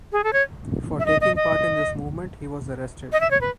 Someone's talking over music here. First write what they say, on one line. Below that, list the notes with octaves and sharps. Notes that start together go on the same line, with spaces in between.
For taking part in this movement he was arrested.
G#4
A4
C#5
E5
D#5
D#5
D#5
D#5
E5
C#5
B4